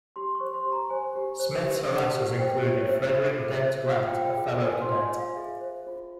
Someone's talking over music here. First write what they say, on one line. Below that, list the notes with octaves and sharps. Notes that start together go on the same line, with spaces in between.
Smith's harassers included Frederick Dent Grant, a fellow cadet.
G4 C6
C#6
C5
C6
G4
A#5
C5 G#5
G4
C5
G4
C5
G4
C5 G5
E5
G4
C#5
C5
E5
F4 E5
G#4
C5
F4 F5
G5
F4
G5
G#4
C5 G#5
C6
F4
G#5
F4
F5
G#4 E5
C5
F4